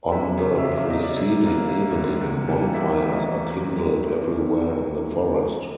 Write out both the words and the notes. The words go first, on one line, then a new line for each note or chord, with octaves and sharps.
On the preceding evening, bonfires are kindled everywhere in the forest.
E2 E5
C#3 F#3
E5
E2 F5
E5
C#3 F#3 D#5
D5
F#2
D3 G3 A#3
F#2
D3 G3 A#3
E2
C3 E3 G3 A#3
E2 E5
C3 E3 G3 A#3 E5
D#5